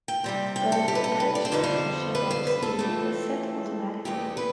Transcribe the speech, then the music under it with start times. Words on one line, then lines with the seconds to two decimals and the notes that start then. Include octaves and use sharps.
Both the aperture and shutter speed were set automatically.
0.08 G5
0.24 C3 G3 C4
0.56 G5
0.72 A4
0.88 G4
0.95 B4
1.04 A4
1.20 B4
1.35 D5
1.45 C5
1.52 F2 D3 G3 B3 B4
1.64 C5
2.15 B4
2.31 C5
2.47 B4
2.63 A4
2.79 F2 E3 A3 C4
4.05 E2 B2 A3 C4 G4
4.37 B4